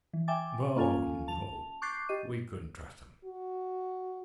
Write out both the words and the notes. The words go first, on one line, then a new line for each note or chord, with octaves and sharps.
"No; we couldn't trust him."
E3
E5 G5 G#5 D6 A6
A#3 C#4 F4 A4 F5 G#5
A5 F7
C#6 D6 F#6 G6 A6 C7
G4 D#5 D#7
F#4